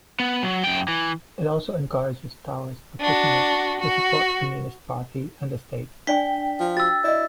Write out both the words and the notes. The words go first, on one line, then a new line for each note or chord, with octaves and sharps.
It also encourages Taoist practitioners to support the Communist Party and the state.
B3
F#3
F#2 G5
E3
D4 F#4
F#4
D4 D5 G5 G#5 B6
F3
F#4 E6 A6
E4 D5 D#5